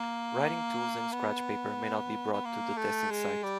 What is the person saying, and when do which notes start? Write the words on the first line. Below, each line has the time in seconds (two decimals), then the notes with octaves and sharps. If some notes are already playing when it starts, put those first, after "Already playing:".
Writing tools and scratch paper may not be brought to the testing site.
Already playing: A#3
1.13 B3
2.33 B3
2.45 A#3
2.77 A3
3.11 G#3
3.43 G3